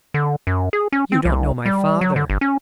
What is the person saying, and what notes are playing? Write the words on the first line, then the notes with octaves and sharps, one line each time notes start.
"You don't know my father."
D3
F#2
G#4
C#4
C4
C2
G3
F#3
D3
G1
C#4